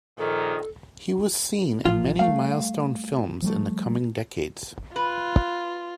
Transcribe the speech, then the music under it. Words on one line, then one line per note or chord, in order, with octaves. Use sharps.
He was seen in many milestone films in the coming decades.
A#1 A#2 D#3 A4
A1 A2 F3 F4
G3 A3 F5
F3 G3 A3
F4 B4